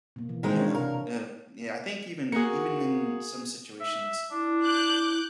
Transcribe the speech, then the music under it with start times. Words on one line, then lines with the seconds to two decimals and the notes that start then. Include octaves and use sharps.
Yeah, uh, yeah, I think even even in some situations,
0.16 B2 A#3
0.29 E3
0.43 D#3 G#3 C4
0.60 D4 F#4 C#5
0.75 C3 A#4 F5
2.32 A#3 F#4 G#4 C#7
3.81 E5
4.31 D4 E4
4.63 D6 F#6 G6